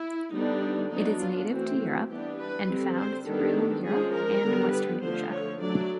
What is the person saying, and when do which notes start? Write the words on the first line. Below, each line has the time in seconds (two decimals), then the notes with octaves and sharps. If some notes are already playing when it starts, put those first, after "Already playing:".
It is native to Europe, and found through Europe and Western Asia.
Already playing: E4
0.32 D3 G3 B3 D4 D#4
0.90 F#3 B3 D4 D#4
1.21 F4
1.49 E3 A3 C4 F#4
1.79 F#4
2.08 E3 G3 B3 D4 G4
2.38 B4
2.67 D3 G3 C4
2.96 C5
3.26 D#3 G3 B3 D4 A4
3.85 F3 G#3 C#4 G#4
4.14 A#4
4.43 D3 G3 B3
4.73 B4
5.01 D3 F3 A3 C5
5.31 C#5
5.60 F#3 A3 D4 D5